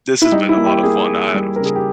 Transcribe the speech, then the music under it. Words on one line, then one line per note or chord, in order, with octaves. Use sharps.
This has been a lot of fun, I I don't
E4
G3 D#4
E4
A#3
G4
A#3 G#4
A#3
G3
C#3 A#4
G#4
G4